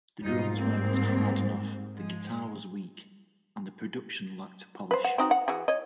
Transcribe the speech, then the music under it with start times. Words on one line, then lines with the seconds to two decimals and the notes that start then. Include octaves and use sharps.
The drums weren't hard enough, the guitar was weak, and the production lacked polish.
0.22 G#2 G3 D#4 F4
0.57 G3 A#3 C4
1.96 F3 G#3
4.91 B4 C5
5.04 F#5
5.18 C4 D#4 F#4
5.31 F#5
5.48 E3 F#4 G#4
5.68 C#5 D#5